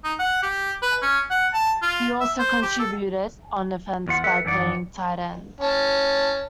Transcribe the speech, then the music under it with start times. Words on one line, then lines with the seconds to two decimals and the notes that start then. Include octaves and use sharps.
He also contributed on offense by playing tight end.
0.04 D#4
0.19 F#5
0.42 G4
0.82 B4
1.02 C#4
1.31 F#5
1.54 A5
1.82 F4
2.20 E5
2.39 C5
2.62 G4
2.79 A4
4.08 E2 F4 F#5
4.24 A4 B4 E5 F#5
4.45 F#2 E3 D#4 D5 F#5
5.60 C#4 A5